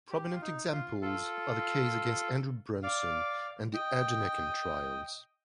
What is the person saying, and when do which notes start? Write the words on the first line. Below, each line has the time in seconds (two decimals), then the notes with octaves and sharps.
Prominent examples are the case against Andrew Brunson and the Ergenekon trials.
0.11 G4
0.30 F4
0.41 D#4
0.71 F4
1.01 F4 A4
2.83 D5 F5
3.74 D#5 G5